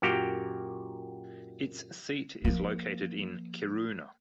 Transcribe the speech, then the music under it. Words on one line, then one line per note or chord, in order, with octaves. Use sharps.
Its seat is located in Kiruna.
F#2 A#2 F#4 G4 F5 G5
F3 A#3